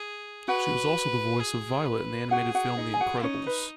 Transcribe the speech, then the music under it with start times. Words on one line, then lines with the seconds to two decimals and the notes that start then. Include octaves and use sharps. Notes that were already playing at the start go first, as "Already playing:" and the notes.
She was also the voice of Violet in the animated film "The Incredibles".
Already playing: G#4
0.48 F#4 B4 F#5
1.40 G#4
1.85 B4
2.31 F#4 G#4 F#5
2.54 F#4 F#5
2.77 D#4 D#5
2.94 G#5
3.00 F#4 F#5
3.23 C#4 D#4 C#5
3.47 B4